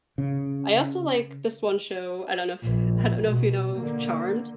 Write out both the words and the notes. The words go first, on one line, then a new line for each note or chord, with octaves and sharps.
I also like this one show, I don't know if I don't know if you know of Charmed,
C#3
A#1
B2
D3 A#3